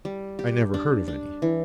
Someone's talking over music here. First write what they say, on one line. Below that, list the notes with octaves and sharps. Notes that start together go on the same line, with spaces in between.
I never heard of any.'
G3
G4
D4
D4
E3